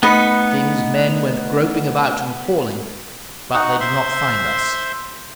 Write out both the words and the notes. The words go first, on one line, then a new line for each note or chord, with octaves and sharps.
The king's men went groping about and calling, but they did not find us.
A3 B3 D#4 B4 C#7
D#4 F#4 F#5
C5 E5 C6